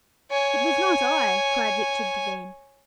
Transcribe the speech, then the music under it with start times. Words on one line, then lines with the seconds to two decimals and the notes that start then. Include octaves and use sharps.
"It was not I!" cried Richard Devine.
0.30 C#5 G#5